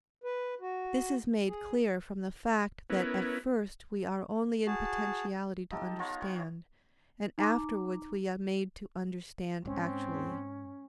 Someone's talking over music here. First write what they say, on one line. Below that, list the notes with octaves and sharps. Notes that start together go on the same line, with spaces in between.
This is made clear from the fact, that at first we are only in potentiality to understand, and afterwards we are made to understand actually.
B4
F#4
G#4
B3 C#4 E4 A#4 B4
F#4 G#4 A5
D#4 F4 G4 A4
B3 F4 C#5 A#5
C5 C#5 G5
D#4 A#5 D6
G#2 C4 C#4